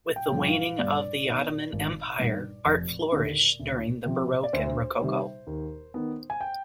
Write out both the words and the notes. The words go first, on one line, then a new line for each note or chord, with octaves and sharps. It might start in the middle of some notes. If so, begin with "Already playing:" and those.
With the waning of the Ottoman Empire, art flourished during the Baroque and Rococo.
G5
G2 F3
F5
G2 D5
D#3 B3
G#1
G2 D#3
F1
D#2 D3
D2
C3 F3 C4
D5
D2 C5
C3 D#3 G3
D#2
D#3 B3
G#5
G5